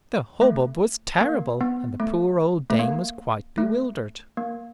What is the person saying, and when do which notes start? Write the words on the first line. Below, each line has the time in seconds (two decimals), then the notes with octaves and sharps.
The hubbub was terrible, and the poor old dame was quite bewildered.
0.41 A3
1.21 A#3
1.61 B3
2.00 A3
2.70 A3
2.79 A#3
3.58 A3
4.37 A#3